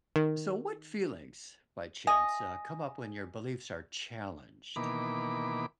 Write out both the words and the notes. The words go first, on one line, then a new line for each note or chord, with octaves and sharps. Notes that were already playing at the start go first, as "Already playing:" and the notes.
So what feelings, by chance, uh, come up when your beliefs are challenged?
D#3
D#5 G#5
B2 D#3 E3 A#3 B5 D6